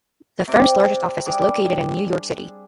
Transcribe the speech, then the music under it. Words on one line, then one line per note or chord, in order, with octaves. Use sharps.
The firm's largest office is located in New York City.
C3 C4 D5 D6
G3 D4 G#4 D6